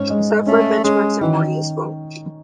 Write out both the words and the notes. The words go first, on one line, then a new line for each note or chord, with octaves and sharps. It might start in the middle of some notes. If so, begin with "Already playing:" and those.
Software benchmarks are more useful.
Already playing: G#2 C#4
G#3
A3 C#4
G#3 C#4
D#3 E3